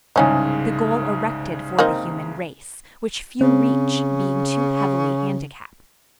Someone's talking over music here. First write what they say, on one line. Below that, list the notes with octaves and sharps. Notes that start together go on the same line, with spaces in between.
The goal erected for the human race, which few reach, being too heavily handicapped.
C2 G#2 C#3 G#3 C#4 D#4
A#3 C4 D#4
C#3 C4